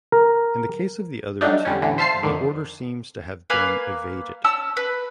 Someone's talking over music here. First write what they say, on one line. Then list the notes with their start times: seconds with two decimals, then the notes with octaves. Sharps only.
In the case of the other two the order seems to have been evaded.
0.12 A#4
1.41 F#3 G3 A3 D4 D#4
1.65 D3 G3 C#4
1.82 A2 D3 E3
1.98 C5 E5 F5 A5 F6 C7
2.23 F2 D3 D#3
3.50 A#3 B4 F5 G#5
4.44 C#4 A5 E6
4.77 B4